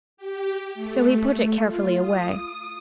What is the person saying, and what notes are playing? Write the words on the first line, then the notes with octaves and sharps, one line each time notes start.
So he put it carefully away.
G4
A3
F4
D#6